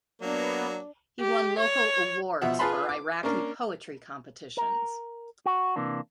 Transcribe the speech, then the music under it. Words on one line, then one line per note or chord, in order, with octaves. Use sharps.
He won local awards for Iraqi poetry competitions.
F#3 A#3 B3 D4
G4
C#5
B2 F3 E5 F#5
F4 G#4 B4 A5 B5 C6
D6
A#3 C#4 D4 A#4
A#4
F#4
C3 E3 A#3 D4